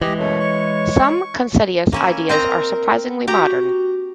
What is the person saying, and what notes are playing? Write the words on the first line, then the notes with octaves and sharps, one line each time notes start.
Some of Consentius' ideas are surprisingly modern.
E3 G#3 G4 D#5
F#2 B2 A3 C#5
C#6
A#3 C#4 E4
C4 A#4 D#5 A#5
F#4 G4 A#5